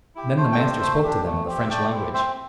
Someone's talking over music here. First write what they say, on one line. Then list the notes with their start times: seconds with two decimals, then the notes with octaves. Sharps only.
And then the master spoke to them of the French language.
0.15 E4 G4
0.37 A3 C5
0.52 G5
0.59 D4 G4 C5 E5
0.81 A3
1.03 D4 G4
1.26 A3
1.47 C4 G4
1.58 E5
1.70 A3 D5 G5
1.92 C4 E4 G4
2.14 C4 C5 E5